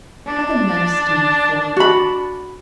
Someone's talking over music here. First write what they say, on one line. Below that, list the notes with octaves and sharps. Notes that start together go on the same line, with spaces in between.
Have a nice dinner for her.
D4
F#4 B5